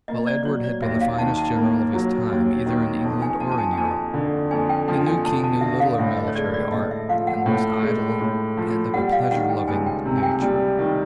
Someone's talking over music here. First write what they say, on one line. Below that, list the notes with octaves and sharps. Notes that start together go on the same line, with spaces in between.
While Edward had been the finest general of his time either in England or in Europe, the new king knew little of military art and was idle and of a pleasure loving nature.
A#3 D#5
D5
F#3 C#5
D5
D#2 E5
F5
D#3 A5
A5
A#3
F#3
D#2
D#3
F2
G#5
F3 A5
A5
G#5
G#5
F2 A5
D3
F2 G#5
G5
F3 G5
G#5
F2 A5
A5
D3 E5
F5
A2 E5
D#5
C#5
G#3 D5
D5
A2 D#5
E5
F3 F5
F#5
A2
G#3
A2
F3
G3 F#5
F5
D#3 F#5
G5
C#2 G#5
G5
C3
G#5
G5
G3
D#3